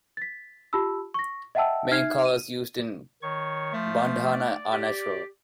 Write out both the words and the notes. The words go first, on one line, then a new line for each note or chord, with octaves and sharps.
The main colours used in Bandhana are natural.
A6 B6
F4 G4 A5 B5 E6
C#6 A#6
D#5 E5 F#5 G5 A5 E6
D#4 E5 F6 G#6 C7
D#7
D#3 C#5 C#6
F3 A3
D5
G4